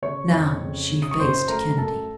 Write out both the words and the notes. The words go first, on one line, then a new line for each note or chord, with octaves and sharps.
Now she faced Kennedy.
C#3 C#5 C#6
F2
C#3
C#3
D#6
C#6
F#2 C5 C6
A3 A#4 A#5
F#2 A4 A5